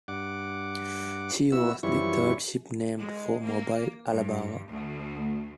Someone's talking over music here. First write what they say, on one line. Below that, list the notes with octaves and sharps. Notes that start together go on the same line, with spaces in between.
She was the third ship named for Mobile, Alabama.
G2 F#5 D6
B3 E4 F#4 E6
F#2 E3 F3 G3 E4 C#6
G#3
A#3
G2
D2